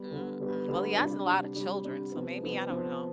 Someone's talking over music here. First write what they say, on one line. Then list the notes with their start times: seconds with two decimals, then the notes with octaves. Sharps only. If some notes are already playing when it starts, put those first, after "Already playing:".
Mm, mm, well, he has a lotta children, so maybe I don't know
Already playing: G3 B3
0.11 D3 G3 B3
0.40 D3 G3 B3
0.68 D3 G3 B3
0.97 C3 G3 D4
1.26 C3 G3 D4
1.55 C3 G3 D4
1.84 C3 G3 D4
2.12 C3 F3 B3
2.41 C3 F3 B3
2.70 C3 F3 B3